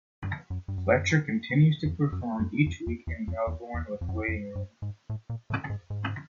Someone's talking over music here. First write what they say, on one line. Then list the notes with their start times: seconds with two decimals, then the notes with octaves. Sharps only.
Fletcher continues to perform each week in Melbourne with Waiting Room.
0.24 G2
0.50 F#2
0.68 G2
0.78 F#2
1.86 F2
2.12 F#2
2.39 F#2
2.66 F2
2.87 E2
3.07 E2
3.28 F2
3.47 E2
3.74 E2
4.01 F2
4.09 F#2
4.15 F2
4.28 F2
4.55 G2
4.82 G#2
5.10 A2
5.30 A#2
5.50 A2
5.70 G#2
5.90 G#2